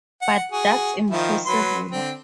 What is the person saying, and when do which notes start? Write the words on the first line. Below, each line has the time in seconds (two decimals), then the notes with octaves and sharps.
But that's impossible!
0.22 F#5
0.52 F#4 G#4
1.10 D#3 F3 E4
1.46 F#3 B4 C6
1.91 D3 C4